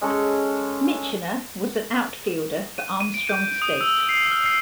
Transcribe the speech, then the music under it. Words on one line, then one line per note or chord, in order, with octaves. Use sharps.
Michener was an outfielder for Armstrong State.
G#3 C#4 A4
D#7
D#7
D7
G6
D#6
E6
C7
F6
C7